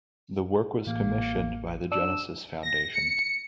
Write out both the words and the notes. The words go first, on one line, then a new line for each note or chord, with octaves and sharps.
The work was commissioned by the Genesis Foundation.
A1 A#3
D4 E6
A#6
C#7